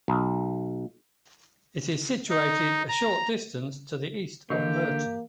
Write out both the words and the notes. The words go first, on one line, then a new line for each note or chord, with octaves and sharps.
It is situated a short distance to the east of Murton.
B1
D#4
A#5
D3 E3 A#3 F#4 G4 D#5